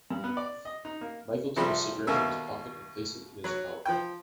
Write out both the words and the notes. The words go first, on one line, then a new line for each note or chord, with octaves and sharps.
Michael took a cigarette from his pocket and placed it in his mouth.
G2
B3
D5
D#5
D#4
A#3
C3 F3 G3 A3
D#2 B2 A3 A#3 E5 E6
F#3
F3 G5